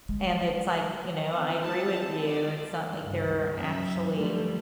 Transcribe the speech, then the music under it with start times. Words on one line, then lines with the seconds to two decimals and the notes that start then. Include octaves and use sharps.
And it's like, you know, I agree with you. It's not like they're actually
0.09 G#3
1.31 B3 C4
1.63 G#3 E4 F4 A5
2.26 D5
3.00 C#2 G2 C#3
3.53 F#2 E5
4.15 D3 D#3 F3 G3 A3